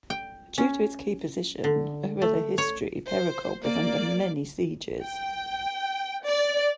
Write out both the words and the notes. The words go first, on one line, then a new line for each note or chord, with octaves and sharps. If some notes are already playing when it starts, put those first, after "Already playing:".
Due to its key position, over the history Perekop was under many sieges.
G5
C#4
D3
A3
C#5
C5
A#3 D5
G5
D5